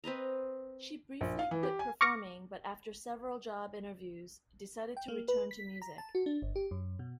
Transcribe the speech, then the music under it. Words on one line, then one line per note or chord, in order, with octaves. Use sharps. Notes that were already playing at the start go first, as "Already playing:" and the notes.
She briefly quit performing, but after several job interviews decided to return to music.
C4 B4 D#5 A#5
A#1
F5
E3
G4
G#5
C#6 D6 F6 A#6 C#7
G5
A#3
B4
B6
A#5
A5
F#4
D4
G1
G4
F#2
B2